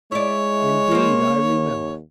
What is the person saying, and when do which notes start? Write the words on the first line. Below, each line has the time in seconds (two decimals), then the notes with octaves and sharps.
"Indeed I remember."
0.12 G#3 E4 C#5 D5
0.91 A#3 C5
1.45 D#2